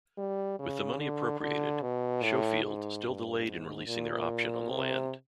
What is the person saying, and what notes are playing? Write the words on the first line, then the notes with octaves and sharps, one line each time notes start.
With the money appropriated, Schofield still delayed in releasing their option on the land.
G3
C#3
D3
D3
B2
A2
G#2
G2
G#2
A#2
C3